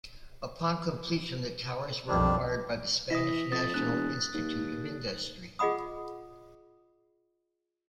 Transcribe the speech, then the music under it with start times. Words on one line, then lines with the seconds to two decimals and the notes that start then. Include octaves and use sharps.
Upon completion, the towers were acquired by the Spanish National Institute of Industry.
2.08 B1 F2 D#3 G3 D4
3.10 E3 D#6 A#6 B6
3.52 F2 D#6 A6
3.74 E1 F#6
4.34 D#2
5.59 F4 G#4 D#5 F#5 B5 D#6